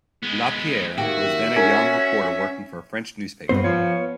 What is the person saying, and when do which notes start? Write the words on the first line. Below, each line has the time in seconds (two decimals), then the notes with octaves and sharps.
Lapierre was then a young reporter working for a French newspaper.
0.23 G#3 B3
0.98 D#3 A#3 F#4 G4 E5
1.56 C#4 A#4
3.49 G2 B3 C4 C5
3.64 F3 C#5